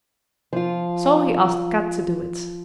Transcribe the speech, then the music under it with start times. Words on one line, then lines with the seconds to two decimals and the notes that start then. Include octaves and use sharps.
So he asked Kat to do it.
0.53 F3 F4